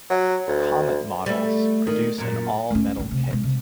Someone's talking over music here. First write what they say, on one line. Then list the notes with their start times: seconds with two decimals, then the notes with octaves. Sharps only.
Comet Models produce an all-metal kit.
0.10 F#3
0.48 D2
1.26 G3 A3
1.87 D#3
2.18 F#2 A#2
2.71 A3 C#4
2.97 A#1 A2
3.11 C3
3.31 B2 G#3
3.43 C3